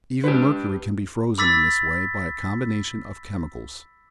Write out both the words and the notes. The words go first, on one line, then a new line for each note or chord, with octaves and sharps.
Even mercury can be frozen in this way by a combination of chemicals.
G4 B4
B5 D6 E6 A6 B6